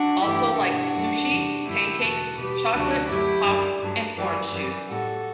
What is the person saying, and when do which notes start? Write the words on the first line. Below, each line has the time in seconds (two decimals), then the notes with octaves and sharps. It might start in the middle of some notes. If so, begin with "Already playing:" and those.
Also likes sushi, pancakes, chocolate, pop and orange juice.
Already playing: D4 F#4
0.22 G2 E3 A3 E4 G4
0.58 B2 G3 D4 F#4
0.95 F#2 F#3 A3
1.30 E2 C3 E3 G3
1.66 F#2 D3 F#3 A3 E4 G4
2.01 E2 B2 A3 F#4 A4
2.38 B2 G3 G4 B4
2.73 D2 C3 F#3 A3 D4 F#4
3.09 F#2 F#3 A3 E4 G4
3.45 F#2 D3 G3
3.81 G2 F#3 A3
4.17 F#2 E3 G3
4.52 F#2 E3 G3
4.88 A2 G3 F#4 A4